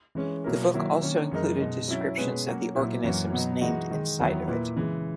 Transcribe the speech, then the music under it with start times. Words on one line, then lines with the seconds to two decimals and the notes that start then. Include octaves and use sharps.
The book also included descriptions of the organisms named inside of it.
0.15 E3 G#3 C#4
0.44 B2 F#3 A#3 E4 A#4
0.74 D#3 F#3 A#3 E4
1.02 D#3 A#3 C#4
1.31 F#2 E3 G#3 D#4 A#4
1.60 B2 G#3 D#4
1.88 F#3 C#4 E4
2.18 B2 G#3 C#4 G#4 B4
2.47 F#3 A#3 C#4 F#4
2.75 A#2 F#3 A#3 E4
3.04 F#2 E3 A#3 C#4 F#4
3.32 B2 F#3 B3 D#4
3.61 E3 G#3 D#4 F#4
3.91 D#3 G#3 D#4
4.19 E2 D#3 F#3 B3 E4
4.48 A#2 A#3 E4 B4
4.76 C#3 E3 G#3